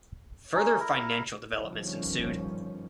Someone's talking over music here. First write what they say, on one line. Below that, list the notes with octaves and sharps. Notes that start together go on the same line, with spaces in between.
Further financial developments ensued.
C#4 D#4
E4 A#4
G1 G2 D#3 F3 G3 C#4